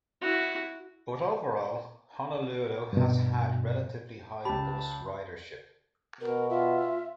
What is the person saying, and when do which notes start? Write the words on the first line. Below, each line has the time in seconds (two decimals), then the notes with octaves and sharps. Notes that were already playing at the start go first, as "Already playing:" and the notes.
But overall, Honolulu has had relatively high bus ridership.
0.21 E4 F#4
2.93 G2 B2
4.45 C#2 G4 A5 B5
6.21 B2 A#4
6.50 F4 E5